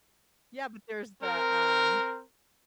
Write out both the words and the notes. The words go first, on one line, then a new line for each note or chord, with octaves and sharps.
Yeah, but there's the, um
C4 A#4